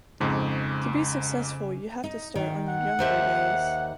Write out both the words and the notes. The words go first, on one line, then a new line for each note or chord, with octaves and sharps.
To be successful you have to start on your younger days.
F2 G#2 C#3
D#4
D#3
F#5
D#2 C5 E5